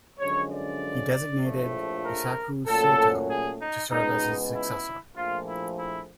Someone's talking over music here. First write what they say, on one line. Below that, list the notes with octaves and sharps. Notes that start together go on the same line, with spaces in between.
He designated Eisaku Sato to serve as his successor.
F#2 D3 F3 G#3 C#4 C#5
D5
A#1 A2 F3 A3
A#4
A#2 F#3 A3 C#4 A4
G#4
D#4
C#2 B2 G#3 B3 D#4
E4
A#1 A#2 F3 A3 F4
E4
E4